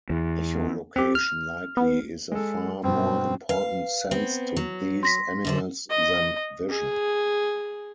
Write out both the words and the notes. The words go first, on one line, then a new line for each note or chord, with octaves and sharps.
Echolocation likely is a far more important sense to these animals than vision.
E2
C4 G4
F6
B3
G#3 A4
G2 B2 C4
B4 F5
B3 C4
F#3
C6 A#6 B6
F#2 D3 C5
D#5
G#4